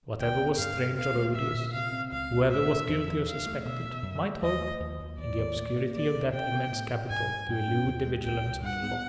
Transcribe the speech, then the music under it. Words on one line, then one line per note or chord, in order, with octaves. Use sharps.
Whatever was strange or odious, whoever was guilty or suspected, might hope, in the obscurity of that immense capital, to elude the vigilance of the law.
D2 G5
B3
G2 F5
B3
D2 F5
A3
A#2 E5
A#2
C3 F5
C4
C#2 F5
C#2
A2 E5
D4
E2
E2
D2 F5
A3
B2 E5
B2
F#2
A3
D#2 D#5
A3
D#2
D#2
D#2 D5
D#2
A2
A#3
D2 D5
D2
C3 G5
B3
A2
A2
G#2 G#5
G#2
G2 G5
C#4
D#2
G#3
C#2 G5
C#2
G2 F#5
B3